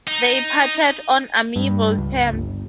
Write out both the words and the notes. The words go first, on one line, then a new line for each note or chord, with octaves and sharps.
They parted on amiable terms.
D#4
G2
C#2
G1